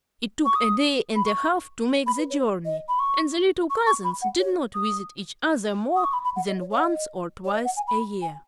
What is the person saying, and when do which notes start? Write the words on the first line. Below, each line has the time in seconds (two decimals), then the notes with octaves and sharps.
It took a day and a half to make the journey, and the little cousins did not visit each other more than once or twice a year.
0.46 C#6
0.55 D#6
1.16 B5
1.26 C#6
2.07 B5
2.18 B4
2.30 C#5
2.65 D#5
2.89 B5
2.99 C#6
3.70 C#6
3.87 C#6
4.04 B5
4.22 F#5
4.39 C#5
4.75 D#6
5.96 D#6
6.04 C#6
6.13 B5
6.24 B5
6.36 F#5
6.48 D#5
6.60 C#5
6.71 C#5
6.77 F#5
6.84 D#5
7.45 C#5
7.52 D#5
7.65 F#5
7.77 G#5
7.88 B5
8.22 G#5